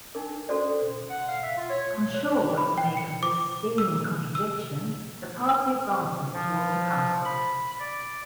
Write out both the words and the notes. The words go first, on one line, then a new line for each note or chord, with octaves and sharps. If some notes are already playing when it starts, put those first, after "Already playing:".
Unsure what to make of this seeming contradiction, the party advances toward the castle.
D4 D#4 A#4
C#4 F#4 A4 C5 D5
F#5
F5
E5
F4
C#5
C#5
B5
G5
C#7
D6
E6
E6
F3
B5
D5